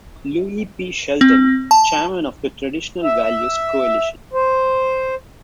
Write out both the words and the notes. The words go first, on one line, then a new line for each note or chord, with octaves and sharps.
Louis P. Sheldon, chairman of the Traditional Values Coalition.
C4
A5
E5
C5